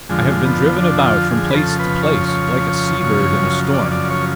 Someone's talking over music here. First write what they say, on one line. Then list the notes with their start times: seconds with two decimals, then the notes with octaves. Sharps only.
I have been driven about from place to place, like a seabird in a storm.
0.09 F2 D3 F3 G#3
0.45 B3
0.82 D4
1.06 F4
1.31 G#4
1.51 B4
1.54 F2 C#3 F3 A4
1.79 B4
2.03 C#5
2.28 C#5
3.01 F#2 C#3 F3
3.74 D5
3.92 D5
4.10 C#5